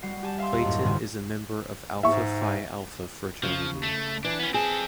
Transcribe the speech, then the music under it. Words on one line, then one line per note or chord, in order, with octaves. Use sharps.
Clayton is a member of Alpha Phi Alpha fraternity.
G3 F#4 F#5 C7
G4 G#5 A5
E5 F5 A5 C6
D#2
F#2 A2
G1 C2 G#2 C4 G#5
G#2 E5 C#6
C#3 F3
A3
E3 D4
B3 C#4
C4 G#4 A5